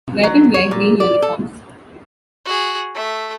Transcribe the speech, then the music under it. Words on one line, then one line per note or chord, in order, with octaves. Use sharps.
Welpen wear green uniforms.
F#3
C#5
A#2
D5
A4
F#4 G#4
A3 E5